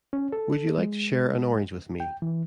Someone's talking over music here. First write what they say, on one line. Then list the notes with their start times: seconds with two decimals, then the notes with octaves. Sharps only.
Would you like to share an orange with me?
0.13 C#4
0.32 A4
0.78 G#3
2.00 G5
2.22 E3